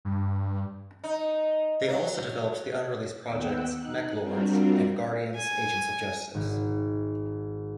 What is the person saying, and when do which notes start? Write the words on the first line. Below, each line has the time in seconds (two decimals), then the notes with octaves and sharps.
They also developed the unreleased projects Mech Lords and Guardians: Agents of Justice.
0.05 G2
1.04 D#4
1.88 F#3
3.28 D#2 B3 F#5 G5 E6
3.75 D#4 F#6
4.22 G3 C4 D4 F4 F#4 A#4
5.35 G#5
6.34 G#1